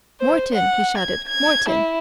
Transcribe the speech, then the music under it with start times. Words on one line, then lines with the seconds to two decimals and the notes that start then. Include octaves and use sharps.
"Morton!" he shouted; "Morton!"
0.20 C5
0.55 F#5
0.98 G#6
1.28 G#6
1.69 E4